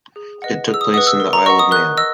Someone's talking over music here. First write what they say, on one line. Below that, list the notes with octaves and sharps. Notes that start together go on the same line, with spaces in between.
It took place in the Isle of Man.
G#4
B4 D#5 F#5
G#4
E6
D#6
B4 D#5 F#5 D#6
E6
A#4
A#5
D#5 F#5 C#6
D#6
A#4 F#6
D#5 E6